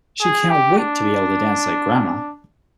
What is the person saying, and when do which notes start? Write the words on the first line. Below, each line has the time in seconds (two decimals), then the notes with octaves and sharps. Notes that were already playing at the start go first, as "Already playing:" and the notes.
She can't wait to be able to dance like grandma!
0.22 G#4
0.50 G4
0.78 D4